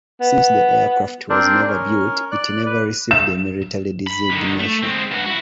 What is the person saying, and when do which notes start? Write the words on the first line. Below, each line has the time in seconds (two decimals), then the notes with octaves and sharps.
Since the aircraft was never built, it never received a military designation.
0.21 B3
1.30 C4 D4 A#4 C5 D5
1.67 C#4 A#4
2.32 D5 F#6
2.66 B4
3.11 E7
4.07 B5
4.30 D3 D#3
4.60 A3
4.83 G#3 C4
5.12 G2 F#4
5.26 E4 F#4